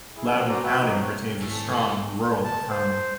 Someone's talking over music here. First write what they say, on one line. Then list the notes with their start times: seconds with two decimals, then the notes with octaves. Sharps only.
Loudoun County retains a strong rural economy.
0.16 E4 G#4
0.32 F#3 A#3 C4 C#4
0.49 D4 F#4 C5 D5 A#5
0.64 F#4 B4 E5 G5
0.80 F3 D#4
0.99 C4 C#5
1.41 G#1 A2 A3 A4 C#5 G#5 A5
2.44 A5
2.70 C5